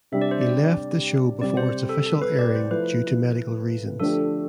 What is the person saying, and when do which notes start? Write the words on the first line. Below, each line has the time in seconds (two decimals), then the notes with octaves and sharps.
He left the show before its official airing due to medical reasons.
0.12 C3 G3 D4 E5
0.21 D5
0.31 C5
0.41 D5
1.41 C3 G3 C4 D5
1.57 C5
1.89 A4
2.06 A4
2.22 B4
2.39 D5
2.55 C5
2.71 F3 A3 E4 B4
3.99 D3 F3 A3 D4 G4 A4